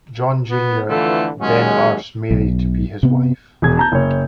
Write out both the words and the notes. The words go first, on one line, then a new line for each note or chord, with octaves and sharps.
John Junior then asks Mary to be his wife.
B3
F2 D3 E3 A3 F4
D#2 F#3 G#3 C#4
B1
C3 B3
E1 G#4 G#6
A5 A#5 G6
F#1 C#5